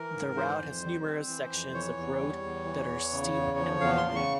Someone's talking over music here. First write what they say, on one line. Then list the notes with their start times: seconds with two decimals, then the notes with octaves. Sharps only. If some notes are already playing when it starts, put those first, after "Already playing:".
The route has numerous sections of road that are steep and winding.
Already playing: E3 A#4
0.14 G#2
0.36 E3 C5
0.59 F2
0.83 G3
1.04 C4
1.28 E3
1.51 F2
1.73 E3 C#5
1.97 E2
2.20 G3
2.43 E2
2.65 E3
2.89 E2
3.12 C#3
3.34 E2
3.58 F3
3.80 E2 F5
3.97 C6
4.03 C#3
4.15 C#6